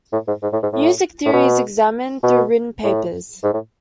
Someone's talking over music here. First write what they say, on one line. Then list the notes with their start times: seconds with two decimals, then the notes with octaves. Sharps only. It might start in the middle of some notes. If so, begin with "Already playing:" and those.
Music Theory is examined through written papers.
0.13 A2
0.28 G#2
0.43 G#2
0.53 A2
0.63 G#2
0.73 A2
1.25 A2
1.33 B2
2.23 B2
2.84 A2
3.44 G#2
3.54 A2